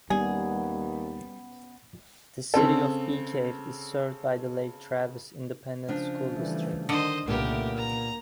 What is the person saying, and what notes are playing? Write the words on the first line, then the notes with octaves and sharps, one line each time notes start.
The city of Bee Cave is served by the Lake Travis Independent School District.
D#2 G3 B3 C#4 G#4
C#3 C4 A4
C#3 F3 D4
E3 G3 A3
D3 D#3 C5 D#5
C2 A#2 C#3 A3 B3 G4 A#4
A#3 A#5